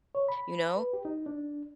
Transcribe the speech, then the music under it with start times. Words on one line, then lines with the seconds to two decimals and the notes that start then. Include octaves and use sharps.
you know?
0.15 C#5
0.28 B5
0.76 B4
0.93 G4
1.05 D#4
1.26 D4